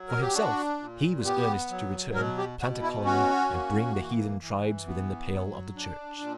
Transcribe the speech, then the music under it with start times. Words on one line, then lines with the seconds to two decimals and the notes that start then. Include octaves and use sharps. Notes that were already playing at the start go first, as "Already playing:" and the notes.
For himself, he was earnest to return, plant a colony, and bring the heathen tribes within the pale of the Church.
Already playing: F#3
0.08 A#4
0.22 G4
0.34 D4 F#4
0.80 A#2
1.24 B3 G4
1.70 F#3
2.14 B2 A#4
2.38 G4
2.60 B2 F#4
2.82 E4
3.05 C#4 F#4
3.50 A#3
3.96 E3
4.40 E3
4.86 B3
5.31 F#3
5.76 D4
6.21 A#2